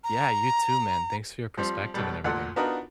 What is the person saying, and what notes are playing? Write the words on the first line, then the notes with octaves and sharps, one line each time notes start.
Yeah, you too man. Thanks for your perspective and everything.
A#5
F3 G3 C4
B1 B2 G3
D2 A#2 A4 F#5
B3 D4 D#4 F4 F#4 A#4